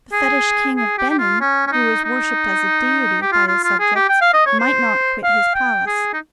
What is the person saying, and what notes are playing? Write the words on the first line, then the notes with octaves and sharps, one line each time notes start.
The fetish king of Benin, who was worshipped as a deity by his subjects, might not quit his palace.
G#4
G#4
G4
G4
F4
C#4
C#4
D#4
D#4
G4
F4
F4
F4
G#4
G4
G5
F5
D#5
C#5
C5
F5
G5
G#4
D#4